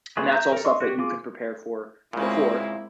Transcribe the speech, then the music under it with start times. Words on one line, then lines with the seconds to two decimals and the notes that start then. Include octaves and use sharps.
and that's all stuff that you can prepare for before,
0.17 A3 B3 F4 F#4 G#4
0.31 E5 A#5 G6
0.52 A4 A#4
0.65 D#5 C6 C#6
0.80 F#4 G4
0.99 F4 G#4 D6
2.13 A#2 C#3 G#3 A#3 C4 E4